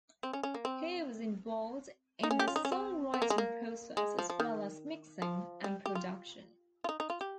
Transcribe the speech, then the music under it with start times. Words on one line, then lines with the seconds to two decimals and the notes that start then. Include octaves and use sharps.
He was involved in the songwriting process as well as mixing and production.
0.23 C4
0.33 C#4
0.43 C#4
0.54 A#3
0.65 C4
2.23 D#4
2.31 C#4
2.39 G4
2.48 F4
2.56 D#4
2.65 C#4
2.72 C4
3.14 C4
3.22 A#3
3.30 G#3
3.38 A#3
3.97 G#3
4.19 F3
4.30 F3
4.40 D#3
5.22 F3
5.64 G3
5.86 G4
5.95 F4
6.84 F4
6.89 D#4
7.00 D#4
7.10 F4
7.21 G4